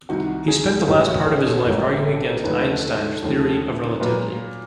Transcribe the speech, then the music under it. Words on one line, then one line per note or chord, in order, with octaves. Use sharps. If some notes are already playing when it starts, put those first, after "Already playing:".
He spent the last part of his life arguing against Einstein's Theory of Relativity.
C2 C3 D#3 F#4
G#4
G#4
A1 A2 E3 G3 A#3 G4
F#4
G#4
A4
A1 A2 E3 G3 A#3 A#4
G#4
A4
A#4
D#2 D3 F3 A3 B4
A4
D#2 D3 F3 A3
A#2 F#3 A#3 B4